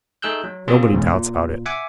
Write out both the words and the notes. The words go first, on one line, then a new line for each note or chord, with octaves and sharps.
Nobody doubts about it.
A3 D#4 G#4 E6 F#6 G6
F#3
A#3 C4 C#4 F4 G4 G#4
B1 E2 G#2 C#3
A#2
E5 F#5 G#5 D6